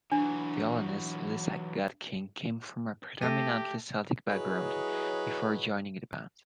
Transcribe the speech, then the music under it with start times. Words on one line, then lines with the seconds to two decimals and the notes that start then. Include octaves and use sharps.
Violinist Lisa Gutkin came from a predominantly Celtic background before joining the band.
0.12 E3 F#3 D4
3.21 A3 G4 A#6 D#7
4.30 F#3 E4 G#4 B4 C#5 D#5